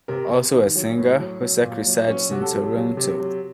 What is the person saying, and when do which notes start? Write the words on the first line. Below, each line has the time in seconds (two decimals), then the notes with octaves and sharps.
Also a singer, Hossack resides in Toronto.
0.08 C3 A#4
0.30 C3
0.52 D#3
0.75 F#3
0.97 A2
1.20 F#3
1.41 F#3
1.63 A#2
1.86 F#3
2.08 F#3 C#4
2.31 C3 F#4
2.41 A4
2.53 F#3
2.76 F#3
2.97 C3
3.20 F#3